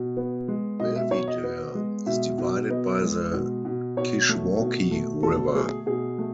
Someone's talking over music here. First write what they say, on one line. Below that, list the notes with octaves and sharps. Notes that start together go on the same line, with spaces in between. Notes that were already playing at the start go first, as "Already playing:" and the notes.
Belvidere is divided by the Kishwaukee River.
Already playing: B2
B3
G#3
B2 D#5
E5
B2 C#5
D#5
B3
G#3
B2 E5
B2
B3 D#5
G#3
B2
B2
B2 C#5
A3
B2
A3
B2 A4
A3 G#4
B2 G#4
A3